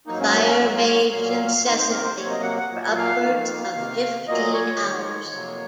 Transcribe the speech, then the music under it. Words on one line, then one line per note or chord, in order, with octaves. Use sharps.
The fire raged incessantly for upwards of fifteen hours.
G#2 F#3 A#3 D#4
C#4
A#3
C#4
G#2 F#3 A#3 C4
F4
C#5
A#2 F#3 A#3 F5
F5
F5
C3 D#3 A#3 C5
C5
A#4
C5
C3 F#3 A#3 C#5
D#5
F#5
F#5
A#2 F#3 A#3
F5
F2 D#3 A#3
C3 D#3 A#3
A#2 F#3 A#3 D#5
C#5
G#2 D#3 G#3
F2 C3 F#3 A#3